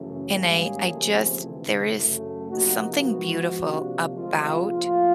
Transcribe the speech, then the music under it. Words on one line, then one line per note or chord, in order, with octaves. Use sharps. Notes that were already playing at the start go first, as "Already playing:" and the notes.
and I I just there is something beautiful about
Already playing: F#2 C#3 E3 A3
G#2 D#3 G3 A#3 C#4 G#4
D#2 C#3 F3 A3 C4
D2 C3 E3
F#2 C#3 F#3 A3
C3 F3 A#3 D#4 F#4
G#2 F3 G#3 B3 F#4
C3 F3 A#3 D4
D2 C3 F3 G#3 F4
A2 F3 A#3 F4